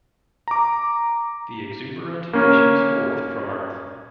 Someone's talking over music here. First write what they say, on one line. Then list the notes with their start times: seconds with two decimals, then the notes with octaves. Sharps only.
The exuberant issues forth from Earth.
0.48 A#5 D6
2.33 A#3 C#4